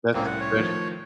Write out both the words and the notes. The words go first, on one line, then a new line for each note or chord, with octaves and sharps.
That's good.
C2 A2 A#3 C4 C#4
F#5
C#5
D#3 F3 A3